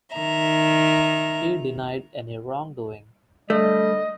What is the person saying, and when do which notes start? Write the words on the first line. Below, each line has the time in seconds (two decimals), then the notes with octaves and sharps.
He denied any wrongdoing.
0.14 D#3 E5 A#5
3.50 D3 G3 A3 D#5